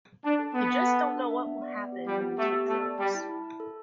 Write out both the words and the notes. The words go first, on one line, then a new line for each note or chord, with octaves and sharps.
You just don't know what will happen when you take drugs.
D4 A5
A4
B3 A5
A5
A4
D4
D4
E5
B3
D5
B3
G4
G3 G4
B3
A3 G4
B3
A3 A5
D5
G3 A5
E4
E4
A5
A4